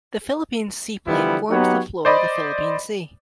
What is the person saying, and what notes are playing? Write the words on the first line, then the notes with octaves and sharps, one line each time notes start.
The Philippine Sea Plate forms the floor of the Philippine Sea.
D3 E3 F3 G3 B3 E4
F#3 B3 D#4 G4 C#5 F#5
C5 D5 D#5 B5